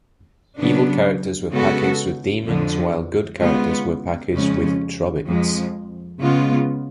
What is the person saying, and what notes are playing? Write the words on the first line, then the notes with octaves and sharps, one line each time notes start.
Evil characters were packaged with demons while good characters were packaged with Trobbits.
C#3 F#3 B3 D4
C#3 G#3 B3 F#4 A4
F2 D3 F3
C#3 G#3 B3 F4
F2 C#3 G#3 C#4
F2 F3 G#3
C#3 G#3 B3 F4